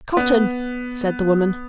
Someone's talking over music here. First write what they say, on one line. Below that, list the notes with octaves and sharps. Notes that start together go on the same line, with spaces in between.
"Cotton," said the woman.
B3